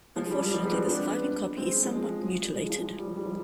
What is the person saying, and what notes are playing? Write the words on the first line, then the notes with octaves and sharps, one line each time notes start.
Unfortunately the surviving copy is somewhat mutilated.
F3 G#3
G3
G3
F3 G#3
G3 B3
G#3 C4
B3 D4
G#3 C4
F3 G#3
G3
F3 G#3
F3
F3
G3
F3
G3
F3 G#3